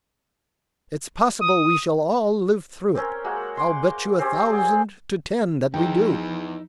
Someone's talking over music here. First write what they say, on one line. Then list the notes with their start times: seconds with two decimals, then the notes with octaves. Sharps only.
It's possible we shall all live through it; I'll bet you a thousand to ten that we do.
1.41 D#6
2.95 C4 C#4 A#4
3.24 G#3 A#3 F#4 F#5
3.57 C6 D6
4.19 C4 C#4 G4 C5
4.51 G#4 D5 F#5 G#5
5.74 E2 F3 D#4 E4 G5